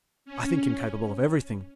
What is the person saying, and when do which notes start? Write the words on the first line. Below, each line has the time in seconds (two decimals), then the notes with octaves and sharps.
"I think him capable of everything."
0.25 C#4